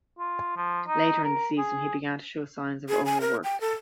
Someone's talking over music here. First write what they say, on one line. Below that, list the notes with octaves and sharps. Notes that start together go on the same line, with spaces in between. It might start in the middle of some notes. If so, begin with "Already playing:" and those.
Later in the season, he began to show signs of overwork.
F4
F3
D#4
A#4
G#4
G#4
G#5
A#4
G5
A4